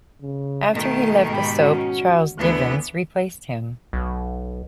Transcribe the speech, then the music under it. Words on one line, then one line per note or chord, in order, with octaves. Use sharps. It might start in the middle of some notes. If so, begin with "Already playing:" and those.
After he left the soap, Charles Divins replaced him.
C#3
B2 D#3 A3
G#2 G4 B5
C#4 F#4
D2 E3 B3
B1